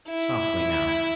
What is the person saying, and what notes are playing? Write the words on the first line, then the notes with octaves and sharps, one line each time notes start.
Softly now.
E4